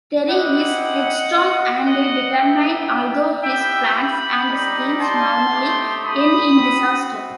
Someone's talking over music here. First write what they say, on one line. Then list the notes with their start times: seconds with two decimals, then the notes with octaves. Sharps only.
Terry is headstrong, and determined, although his plans and schemes normally end in disaster.
0.29 C4 E4 G4 D#5 F#5
1.34 B3 F#4
1.86 D#5 F#5
2.38 G3 B3 D#4 G4 E5 G5
3.43 B3 E4 G4 E5 G5
3.95 G5 B5
4.47 G3 D#4 G4
5.00 A5 C6
5.52 A3 D#4 G4
6.05 B5 D#6
6.56 C4 F#4